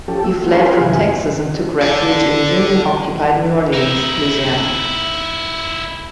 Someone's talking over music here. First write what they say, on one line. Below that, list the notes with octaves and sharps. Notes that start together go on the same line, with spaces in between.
He fled from Texas and took refuge in Union-occupied New Orleans, Louisiana.
F3 C#4 G4 A4
E6
A3 F4 F#4
C#4 D4 G#4 A#4 B4 C#5
G4 G#4 B4 F5 C6
F#2 C3 D#3 E4 G#5
A4 D5
D#4 E4